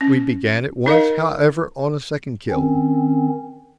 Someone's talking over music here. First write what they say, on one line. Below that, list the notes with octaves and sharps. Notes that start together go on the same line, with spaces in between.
We began at once, however, on a second kiln.
C#4
D#4 A#4 D#5 F5
D#3 C4 C#4